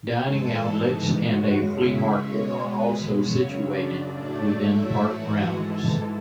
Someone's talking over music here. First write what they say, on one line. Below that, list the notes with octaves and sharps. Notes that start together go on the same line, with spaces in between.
Dining outlets and a flea market are also situated within park grounds.
G#2 E3 G#3 A4 A5
F#2 C#3 G#3 F#4 F#5
E4 E5
B2 G#3 C#5
B4
F#2 C#3 F#3 C#5
D4 D5
A2 F#3 A3 D4 D5
E4 E5
G#2 E3 G#3 F#4 F#5
A4 A5